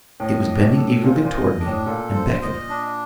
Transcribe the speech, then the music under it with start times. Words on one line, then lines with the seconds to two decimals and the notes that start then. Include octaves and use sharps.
It was bending eagerly towards me, and beckoning.
0.20 A2 D#5
0.48 D4
0.62 A2
0.75 A4
1.03 A#2 C5
1.24 A#2
1.31 D#5
1.59 D4
1.66 A2
1.86 A#2 A4
2.14 C5
2.41 D#5
2.70 D4